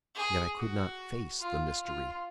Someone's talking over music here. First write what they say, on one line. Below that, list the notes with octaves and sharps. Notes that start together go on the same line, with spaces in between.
Yet I could not face the mystery.
G#4
F#4
F4
F4